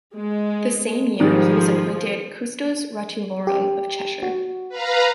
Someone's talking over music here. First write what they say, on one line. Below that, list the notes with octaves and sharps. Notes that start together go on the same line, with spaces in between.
The same year he was appointed Custos Rotulorum of Cheshire.
G#3
G#2 D#3 F3 G3 G#4
G4
F#4
B4 F5 A#5